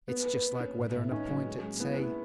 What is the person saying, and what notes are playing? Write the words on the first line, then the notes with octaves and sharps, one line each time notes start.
It's just like weatherin' a point at say.
B3 B4
B4
B4
C#4
A2
A2
C#4 D#4
F#3
G#3
G#3
B3 E4
E4